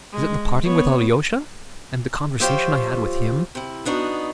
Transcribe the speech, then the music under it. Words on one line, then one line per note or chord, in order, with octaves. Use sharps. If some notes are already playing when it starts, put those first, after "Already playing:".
Is it the parting with Alyosha and the conversation I had with him?
G#3
B3 C#5
F3 F4 G4 C5 C#5 E5
C3 E4
B3 D4 D#4 F#4